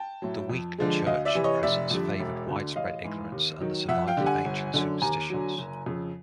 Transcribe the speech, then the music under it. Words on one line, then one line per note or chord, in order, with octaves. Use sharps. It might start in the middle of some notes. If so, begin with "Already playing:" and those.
The weak church presence favored widespread ignorance and the survival of ancient superstitions.
Already playing: G5 A5
A2 F#3
F2
D3 F3 G#3
D2 D#5 F5
D5 E5
C3 E3
C#5 D#5
F1 D5 E5
F2 D3 G3
E1
D2 D3
A1 D#5 F5
G#2 E3
D#2
D#3 F#3
F2 E5 F#5
F5 G5
D3 G3
F#5 G#5
G1
F#2 D3
D#2 G#5 A#5
D3 F#3
F#1
F2 C#3